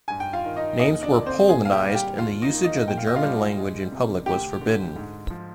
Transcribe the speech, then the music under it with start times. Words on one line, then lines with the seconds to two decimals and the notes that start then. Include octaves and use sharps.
Names were "Polonised" and the usage of the German language in public was forbidden.
0.08 G2 G#5
0.20 G5
0.33 F4 F5
0.45 D#3
0.56 D#4 D#5
0.80 D#2 D#4 D#5
1.03 D4 D5
1.15 D3
1.26 C4 C5
1.49 A#2 G#4 G#5
1.65 F5
1.72 G4 G5
1.84 G3
1.90 F5
1.95 G4 G5
2.19 D#2 F4 F5
2.42 D#4 D#5
2.53 D#3
2.64 D#4 D#5
2.88 A#2 G5
2.97 F5
3.07 D#5
3.16 F4 F5
3.23 G3
3.58 G#3
3.92 C3
4.26 D2 G4 G5
4.61 D3
4.96 G#2
5.30 F3